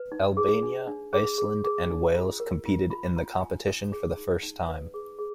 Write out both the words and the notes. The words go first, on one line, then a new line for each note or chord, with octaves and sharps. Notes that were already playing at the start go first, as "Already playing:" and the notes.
Albania, Iceland and Wales competed in the competition for the first time.
Already playing: B4
D#4
G#4
D4
D4
G#4
G#4
G#4
D4
F4
A#4
F4
F4 B5
F4 A#5
F4 G#5
D#4 D#6
G#4
D#4
D#4
B4
G#4
G#4